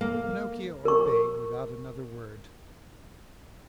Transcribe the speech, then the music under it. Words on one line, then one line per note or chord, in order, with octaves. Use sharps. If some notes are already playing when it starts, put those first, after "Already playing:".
Pinocchio obeyed without another word.
A#3
A#4 C#6